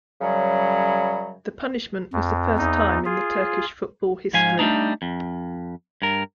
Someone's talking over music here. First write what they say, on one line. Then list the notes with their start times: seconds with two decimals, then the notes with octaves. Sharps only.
The punishment was the first time in the Turkish football history.
0.22 F#2 C#3 F#3 G3
2.13 F2
2.58 E2 D#4
3.06 F4 G#4
4.33 G#2 F3 F5 G#5
4.59 G3 A3 D4 D#4
5.02 F2
6.02 G2 A#4